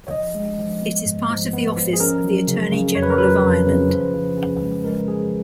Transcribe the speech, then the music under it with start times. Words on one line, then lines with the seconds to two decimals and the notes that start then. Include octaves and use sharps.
It is part of the office of the Attorney General of Ireland.
0.07 C#5
0.11 F3 D#5
0.35 G#3
0.58 F3
0.82 B3
1.06 G#2
1.30 F3
1.53 B3
1.77 F3
1.93 G#4
2.00 C#4 A#4
2.24 F#3
2.48 C#3
2.72 C#3
2.95 F2 C#5
3.03 B4
3.10 A#4
3.18 F#3 B4
3.42 F2
3.66 C#3
3.90 F3
4.14 F3
4.37 C#3
4.61 G#3
4.84 G#3 A#4
5.08 F3 G#4